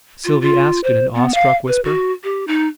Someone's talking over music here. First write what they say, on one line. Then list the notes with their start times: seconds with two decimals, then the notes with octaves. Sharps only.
Sylvie asked in an awestruck whisper.
0.25 F4
0.42 F4
0.84 C5
1.15 B3
1.34 F5
1.68 B4
1.84 F#4
2.24 G4
2.48 D#4